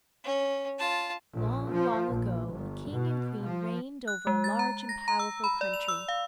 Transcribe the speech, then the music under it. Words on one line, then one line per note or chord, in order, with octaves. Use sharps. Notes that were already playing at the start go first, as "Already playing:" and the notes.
Long, long ago, a king and queen reigned over a large and powerful country.
C#4
F4 A5
A#1
F3
A#1
G1
B2
F3
F#6
G#3
A6
A#5
A#6
A#5
E6
B5
D5
F7
E6
F5